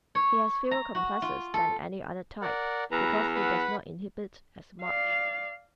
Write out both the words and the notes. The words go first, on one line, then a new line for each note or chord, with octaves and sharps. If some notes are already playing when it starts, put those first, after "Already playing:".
He has fewer complexes than any other type because he does not inhibit as much.
C#5
A#5
F#4
F4
A4
A#4 D5 F#5
E2 B4 A#5
B4 F#5 B5
D5 F5